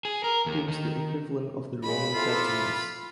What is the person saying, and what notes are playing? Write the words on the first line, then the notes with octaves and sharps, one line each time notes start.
He was the equivalent of the Roman Vertumnus.
G#4
A#4
D#2
D#3
C#3 G#3 B5
C3 E4 F4 A4